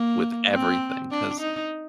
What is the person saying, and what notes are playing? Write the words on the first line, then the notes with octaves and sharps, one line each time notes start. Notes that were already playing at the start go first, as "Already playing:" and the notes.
with everything 'cause,
Already playing: A#3
C4
D4
D#4